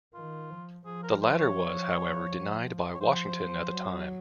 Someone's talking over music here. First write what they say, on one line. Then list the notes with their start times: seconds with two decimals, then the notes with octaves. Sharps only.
The latter was, however, denied by Washington at the time.
0.14 D#3 F4
0.50 F3
0.86 F3 G#4
1.03 A#4
1.21 C5
1.39 C#5
2.94 C#5
3.00 F3 C5
3.72 F#3